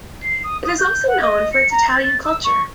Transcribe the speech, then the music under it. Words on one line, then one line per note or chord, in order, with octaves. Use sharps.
It is also known for its Italian culture.
C7
D#6
D#6
G6
F#5
D#5
C#7
A#5
A6
A6
E6
C#6